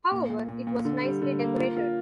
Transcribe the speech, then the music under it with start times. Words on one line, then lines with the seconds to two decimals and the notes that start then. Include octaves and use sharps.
However, it was nicely decorated.
0.12 A#2
0.30 A#2
0.49 A#2
0.67 A#2
0.85 D3
1.03 G3
1.22 D3
1.39 A#3
1.58 F4
1.76 F4